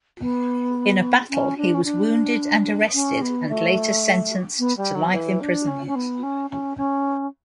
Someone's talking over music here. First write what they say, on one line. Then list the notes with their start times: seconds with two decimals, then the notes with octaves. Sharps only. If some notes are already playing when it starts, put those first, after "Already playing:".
In a battle he was wounded and arrested and later sentenced to life imprisonment.
0.20 B3
1.29 C#4
1.57 D4
1.74 C#4
1.84 D4
2.94 C#4
3.21 B3
3.49 A3
4.59 B3
4.77 G3
4.95 F#3
5.13 E3
5.40 D4
5.67 C#4
5.87 C#4
5.95 B3
6.23 C#4
6.50 C#4
6.77 C#4